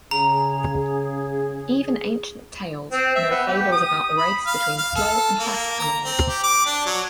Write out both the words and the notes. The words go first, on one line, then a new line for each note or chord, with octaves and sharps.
Even ancient tales know fables about the race between slow and fast animals.
C#3 G#4 A#5
C4
E5
B3
G4
D#6
B5
F5
F5
A4
A#3
A#5
C4
G4
D6
D4
F#3